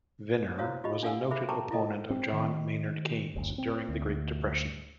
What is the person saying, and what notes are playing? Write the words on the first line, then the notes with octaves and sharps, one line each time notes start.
Viner was a noted opponent of John Maynard Keynes during the Great Depression.
E4 F#4 C5 C#5 F5 D#6
F4 G4 D#5 B5
D4 A4 F5 F#5 G#5 E6
G#4 A#4 C5 E5 B5
A#4 G5 A5 A#5 C#6 D6
E4 F4 A4 D#5
C4
D#3
F#1 D2
C4
D2